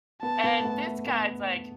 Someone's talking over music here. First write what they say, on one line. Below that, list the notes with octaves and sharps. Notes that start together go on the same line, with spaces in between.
and this guy's, like,
B3 A5
B3
A3
B3
A3
B3